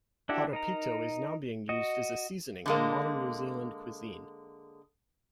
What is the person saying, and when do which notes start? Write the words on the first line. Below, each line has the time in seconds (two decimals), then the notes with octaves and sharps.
Horopito is now being used as a seasoning in modern New Zealand cuisine.
0.29 D4 E4 F#4 G4 A4
0.53 D#4 A#4 A#5
1.69 F#4 D#5
2.66 D3 G#3 A#3